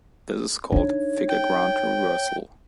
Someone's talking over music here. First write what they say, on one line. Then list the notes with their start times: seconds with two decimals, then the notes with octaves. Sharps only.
This is called figure-ground reversal.
0.72 D4 D#4 C#5
1.29 G5